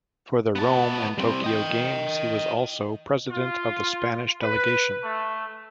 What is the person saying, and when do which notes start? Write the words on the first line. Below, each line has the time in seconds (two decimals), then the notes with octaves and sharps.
For the Rome and Tokyo Games, he was also President of the Spanish delegation.
0.56 B3 A5
1.18 G3 C4
1.44 D#5 G5
3.30 F4
4.42 B4
5.03 A3